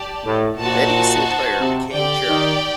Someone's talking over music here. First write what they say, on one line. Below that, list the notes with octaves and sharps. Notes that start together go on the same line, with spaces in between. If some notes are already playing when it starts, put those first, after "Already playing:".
Betty Sinclair became chairman.
Already playing: G4 D5 A5
A2
A#2 D#4 F#4 C5 F#5 A5
C3
D3 G4 D5 G5
D#3